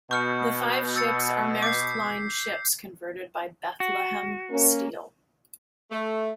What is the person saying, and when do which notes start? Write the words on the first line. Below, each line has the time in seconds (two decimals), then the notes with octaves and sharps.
The five ships are Maersk Line ships converted by Bethlehem Steel.
0.11 B2 C#6 F6 G6 C#7
0.96 E6 A6 C#7
1.63 D6 G6 B6 C7
3.80 F#4
4.50 A#3 C#4 A#4
5.91 A3